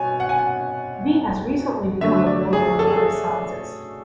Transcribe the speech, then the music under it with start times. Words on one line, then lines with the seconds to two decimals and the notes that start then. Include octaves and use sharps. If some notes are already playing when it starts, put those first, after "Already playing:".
V has recently become available in other sizes.
Already playing: B2 C#5 G#5
0.20 F#5
0.29 G#5
0.39 F#5
2.01 D3 F#3 A3 E5
2.27 D5
2.53 G#4
2.79 A4
2.87 G#4
2.97 A4